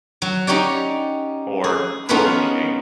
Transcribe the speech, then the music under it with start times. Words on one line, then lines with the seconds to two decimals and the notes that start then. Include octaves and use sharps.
or quota meeting.
0.22 F#3
0.47 C#4 D#4 G4 C#5 D5
1.64 G#4
2.09 B3 C#4 D#4 F4 G#4 B4